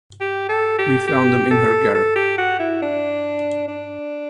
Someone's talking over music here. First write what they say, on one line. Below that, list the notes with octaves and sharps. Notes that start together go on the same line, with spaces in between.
We found them in her garret.
G4
A4
G4
G4
A4
A4
G4
F#4
E4
D4
D4